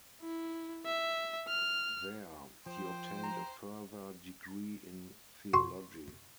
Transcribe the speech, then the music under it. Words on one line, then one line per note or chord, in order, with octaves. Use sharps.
There, he obtained a further degree in theology.
E4
E5
F6
F3 C5 G5
A#5
F#4 C6 C#6